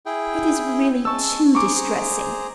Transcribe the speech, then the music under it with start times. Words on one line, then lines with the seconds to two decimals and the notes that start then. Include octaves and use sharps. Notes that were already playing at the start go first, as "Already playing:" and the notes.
It is really too distressing.
0.06 E4 G#4 G5
1.05 G#3 A5 C#6 E6
1.55 G#4 C5 A#5 C#6 D6